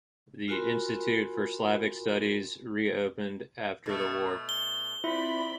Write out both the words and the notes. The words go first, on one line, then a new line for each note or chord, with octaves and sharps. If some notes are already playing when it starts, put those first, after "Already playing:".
The Institute for Slavic Studies reopened after the war.
F4 F#4 A#4 G#5 B5 C6
B2 A3
G7
C4 E4 F4 D5 E5 B5